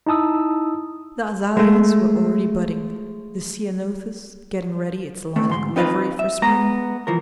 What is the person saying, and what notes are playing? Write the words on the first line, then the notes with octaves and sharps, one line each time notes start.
The azaleas were already budding, the ceanothus getting ready its lilac livery for spring.
D#4 E4 A5 D#6 E6
G#3 A3
D#3 A3 C4
D2 G#2 C6
C4 D#4 F4 B4 D#5 F5
E5
G#3 B3 A#5
E3 F3 A#4